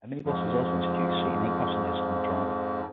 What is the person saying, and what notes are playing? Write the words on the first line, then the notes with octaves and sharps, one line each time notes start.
A minibus was also introduced seating eight passengers and the driver.
F2 G#2 F3